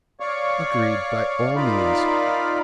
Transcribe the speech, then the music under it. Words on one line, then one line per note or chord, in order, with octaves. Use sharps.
"Agreed, by all means."
C#5 D5 F5 C#6
D#4 F4 A#4 D5 F5 B5